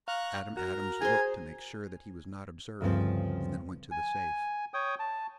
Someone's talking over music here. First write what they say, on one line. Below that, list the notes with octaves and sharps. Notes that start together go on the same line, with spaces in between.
Adam Adams looked to make sure that he was not observed, and then went to the safe.
F5 A#5 C#6 F#6
F#4 A#4 A#5
G#4 C5 G#5
D2 G2 C#3 F3 C4
G#5
C#5 G5 D#6
A5